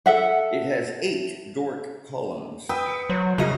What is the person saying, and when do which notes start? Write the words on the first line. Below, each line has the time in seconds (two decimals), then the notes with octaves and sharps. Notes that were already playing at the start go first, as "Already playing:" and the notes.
It has eight Doric columns.
0.06 A4 E5 F#5
2.69 B4 G5 D#6 E6
2.86 D#6 C#7 D7
3.10 F#3 C5
3.38 C2 G2 C#3 F4 F#4 D#5